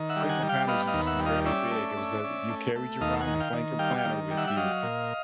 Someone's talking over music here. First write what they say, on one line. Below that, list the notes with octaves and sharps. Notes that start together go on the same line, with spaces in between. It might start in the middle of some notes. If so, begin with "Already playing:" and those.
Franklin Planners used to be very big. It was a you carried around your Franklin Planner with you
Already playing: D#3
E5 F#5
G3
F#5 G#5
G3
F5 G5
B3 D#5 F5
D#5 F5
D#2
E5 F#5
G3
D#5 F5
C#4 D5 E5
A3
C#4
C#4
A3
A3
D#2 D#5 F5
F#5 G#5
D#3
F5 G5
D#3
G3 F5 G5
F5 G5
D#3
G3
E5 F#5
E5
F#3 D#5 F5
A#2